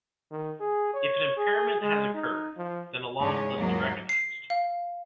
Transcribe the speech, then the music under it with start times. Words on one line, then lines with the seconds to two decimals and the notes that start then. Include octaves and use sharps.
If an impairment has occurred, then a loss must be recognized.
0.31 D#3
0.60 G#4
0.94 C#5
1.37 G#4
1.81 G#3
2.14 D#4
2.57 F3
3.20 E2 G#2 C#3 C#5
3.55 D#2 G#2 F#3 A#3
4.09 C7
4.50 F5